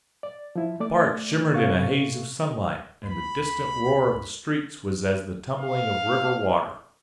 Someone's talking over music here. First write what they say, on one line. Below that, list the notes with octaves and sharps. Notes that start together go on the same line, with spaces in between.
The park shimmered in a haze of sunlight, and the distant roar of the streets was as the tumbling of river water.
D5
F3 E4
A3 D5 D6
C3 A4 F5 C#6
D2 B5
F5